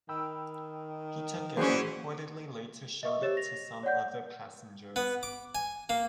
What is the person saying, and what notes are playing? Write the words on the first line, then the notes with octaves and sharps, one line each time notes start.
He took it and reportedly later showed it to some other passengers.
D#3 G5 B5 E6
E3 F#3 A#3 C#4 G#4 C5 D5 F#5
D#5 E5 C#6
G4 C5 C#5 E6 A6 E7
A#6 F7
C#5 D5 F#5 G6
B3
D6
G#5
A#3